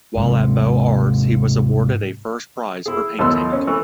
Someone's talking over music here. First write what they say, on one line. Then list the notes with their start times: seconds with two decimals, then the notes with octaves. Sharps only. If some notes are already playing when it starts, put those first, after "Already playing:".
While at Beaux Arts, he was awarded a first prize for painting.
0.17 G#2 C3
2.86 E4 G#4
3.19 D#2 A2 F#3 B3 C6 E6
3.52 C#4
3.67 E3 A3 C#6